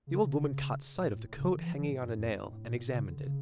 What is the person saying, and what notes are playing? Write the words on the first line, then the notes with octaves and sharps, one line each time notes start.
The old woman caught sight of the coat hanging on a nail, and examined it.
C#3
C#3
A#2
A2
A2
C#3
D3
E3
F3
E3
A2
G2
F2
G2
A2
A2
A#2
C#3
D3
C#3